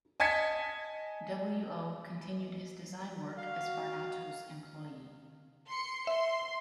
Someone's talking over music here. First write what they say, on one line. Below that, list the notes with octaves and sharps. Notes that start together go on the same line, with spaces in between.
W. O. continued his design work as Barnato's employee.
D#5 G#5 A5 G#6 B6 C#7
F#4 F5
C6 C#7
E5 C6